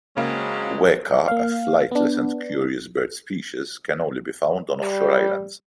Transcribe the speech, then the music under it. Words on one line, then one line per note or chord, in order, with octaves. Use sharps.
Weka, a flightless and curious bird species, can only be found on offshore islands.
C#3 F#3 G#3 A#3 C4 C#4
A#3 F5
B3 D4
G3